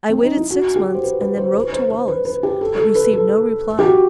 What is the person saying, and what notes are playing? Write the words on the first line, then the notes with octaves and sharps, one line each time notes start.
I waited six months and then wrote to Wallace, but received no reply.
C4
D#4
E4
F#4
G4
C5
B4
B4
C5
B4
C5
C5
B4
B4
G4
A4
A4
B4
A4
G4
F#4